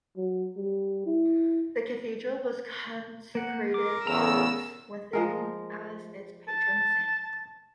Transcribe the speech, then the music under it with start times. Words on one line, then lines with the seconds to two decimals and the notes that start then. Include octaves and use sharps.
The Cathedral was consecrated to Swithin as its patron saint.
0.17 F#3
0.57 G3
1.06 E4
3.35 A#3 F#5
3.74 A#4 D6
4.07 E2 A2 C#3 B3 A#5 E6
5.13 F3 G#3 A#4
6.48 A5